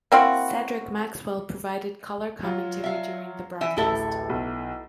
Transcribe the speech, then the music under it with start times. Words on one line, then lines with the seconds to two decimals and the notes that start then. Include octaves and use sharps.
Cedric Maxwell provided color commentary during the broadcast.
0.12 A#3 C4 E4 F#4
2.43 F#3 F4
2.84 E5 F5
3.61 E3 E5
3.77 D1 A1 E4 A4 E5
4.29 B1